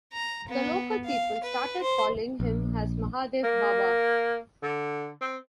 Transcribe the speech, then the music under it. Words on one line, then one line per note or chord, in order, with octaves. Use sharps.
The local people started called him as 'Mahadev Baba'.
A#5
B3
F5
B4
C5
A#1
A#3
D3
C4